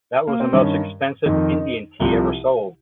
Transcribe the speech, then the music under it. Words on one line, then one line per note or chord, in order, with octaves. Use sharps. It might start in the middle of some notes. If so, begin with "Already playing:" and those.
That was the most expensive Indian tea ever sold.
A#3
C4
G2 D#3 C#4
F2 D#3 D#4
C2 C3 F3